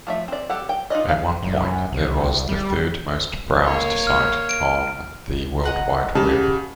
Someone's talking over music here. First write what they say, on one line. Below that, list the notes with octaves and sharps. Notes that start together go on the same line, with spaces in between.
At one point it was the third-most-browsed site on the World Wide Web.
F3 A3 E5
C4 D5
G4 A4 F#5
G5
D#4 F4 D5 D#5
F5
F#2
C2
G3
A#3 C#5
F6
D7
D#5 F#5 A#5
C#3 G4 A5